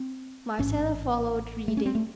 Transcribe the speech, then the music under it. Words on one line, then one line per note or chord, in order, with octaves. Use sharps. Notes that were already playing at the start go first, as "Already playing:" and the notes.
Marcella followed, reading.
Already playing: C4
A1 G#2 C#4
A3
C#4
C4
A3